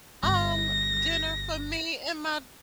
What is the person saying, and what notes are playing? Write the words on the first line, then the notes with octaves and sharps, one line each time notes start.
"Um, dinner for me and my
G1 D3 A#6